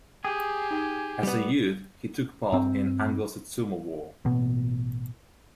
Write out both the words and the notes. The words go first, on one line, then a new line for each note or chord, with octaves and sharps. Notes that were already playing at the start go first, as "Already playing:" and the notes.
As a youth, he took part in the Anglo-Satsuma War.
G4 G#4 G5
D#4 G5
G3 B3
G2 C4
A1 B2 B3